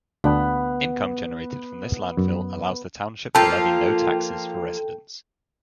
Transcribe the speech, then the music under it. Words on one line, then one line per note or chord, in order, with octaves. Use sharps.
Income generated from this landfill allows the township to levy no taxes for residents.
D2 B3 D4 G5
F#2
F3 A#3 F4 A4 G5